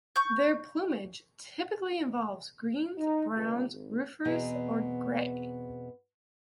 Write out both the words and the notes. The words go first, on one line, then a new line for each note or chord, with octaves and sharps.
Their plumage typically involves greens, browns, rufous or grey.
C#6 G6
D#4
C#2
G#1
E2 B2 B3 C4 G#4 A#5